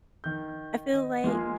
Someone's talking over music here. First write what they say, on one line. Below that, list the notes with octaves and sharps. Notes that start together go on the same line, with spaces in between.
I feel like
D#3 G6
D#5
G#3 A#3 F4 G#4